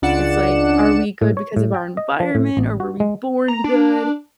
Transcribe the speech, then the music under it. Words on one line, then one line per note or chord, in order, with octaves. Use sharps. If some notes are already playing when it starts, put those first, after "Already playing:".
It's like, are we good because of our environment or were we born good?
C#2 D4 D5 F#5 C#7 E7
A2
C#5
A2
G5
D#5
F3
A2
A1
F#4
G#3
A#5
D4